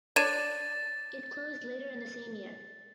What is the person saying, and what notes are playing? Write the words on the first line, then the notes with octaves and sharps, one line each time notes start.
It closed later in the same year.
D4 C#5 G#6 A6 D#7 E7